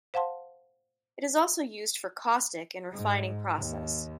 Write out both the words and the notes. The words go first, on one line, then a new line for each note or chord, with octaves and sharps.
It is also used for caustic in refining process.
C5 F5 F#5 A5 C6
G#2
D#2